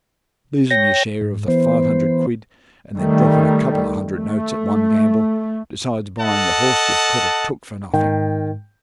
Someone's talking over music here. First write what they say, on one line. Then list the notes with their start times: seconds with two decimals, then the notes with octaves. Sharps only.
Losin' yer share of the five hundred quid, and then dropping a couple of hundred notes at one gamble, besides buying a horse yer could have took for nothing.
0.71 C#5 G5 A#6
1.21 G#2
1.48 E3 B3 C5
2.97 D#3 G3 A3
4.16 A3
6.20 A4 D#5 F#5 A5
7.94 G#2 D#3 G5